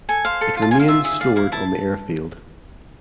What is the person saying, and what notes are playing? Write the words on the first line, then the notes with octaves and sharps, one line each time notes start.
It remains stored on the airfield.
A4 G#5
C5 F5
A4
F4
A5
F4 G#5
F5
F4 E5
G#4 E5
D5 F5
E4 F5
E4 A5